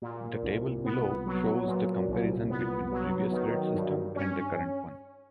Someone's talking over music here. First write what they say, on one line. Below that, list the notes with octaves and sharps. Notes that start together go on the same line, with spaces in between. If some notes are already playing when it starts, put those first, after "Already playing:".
The table below shows the comparison between previous grade system and the current one.
A#2
C2
B3
F#3
A#2
C2
B3
F#3
D#3
G2
C#4